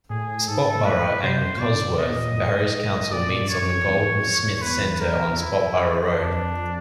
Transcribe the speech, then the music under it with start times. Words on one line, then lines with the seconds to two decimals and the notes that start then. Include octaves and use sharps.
Sprotbrough and Cusworth Parish Council meets at the Goldsmith Centre on Sprotbrough Road.
0.10 A2 G#4
0.48 G#2 A4
0.80 A#2
0.85 A2 B4
1.23 C3 C5
1.56 A#2
1.60 B2 D5
1.74 C#3
1.86 C3
1.99 D#5
2.07 B2
2.10 A#2
2.37 A2
2.51 A2
2.61 G#2
2.87 A2
3.03 A2
3.12 A#2 D5
3.41 G2
3.49 F#2 C#5
3.76 F2
3.87 E2
4.12 F2
4.20 F#2
4.27 F2
4.37 E2
4.62 B4
5.01 A#4
5.28 E2
5.37 F2 E4
6.14 D4